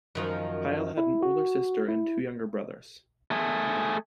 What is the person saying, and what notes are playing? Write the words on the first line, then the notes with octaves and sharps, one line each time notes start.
Pile had an older sister and two younger brothers.
F#2 D#3 F3
E4
F#4
E4
A3 G#4